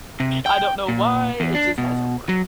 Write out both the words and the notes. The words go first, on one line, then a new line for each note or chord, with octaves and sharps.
I don't know why, it just hasn't worked.
C3
G5
A#2
E2
D4
B2
F#3